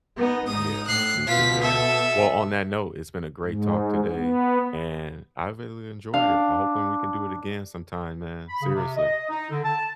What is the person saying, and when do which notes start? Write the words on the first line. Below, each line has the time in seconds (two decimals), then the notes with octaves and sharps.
Yeah. Me too, man. Well, on that note, it's been a great talk today, and I've really enjoyed it. I'm hoping we can do it again sometime, man. Seriously.
0.16 B3 D#4
0.47 G#2 D#4 D#6
0.88 A2 F#6 C7
1.28 B2 F4 B6
1.62 A4 E5
3.45 G#2
4.15 B3
6.14 D4 F5
8.49 B5
8.62 C#3
8.74 C3
8.97 D#5
9.30 D#4
9.51 D3
9.64 A5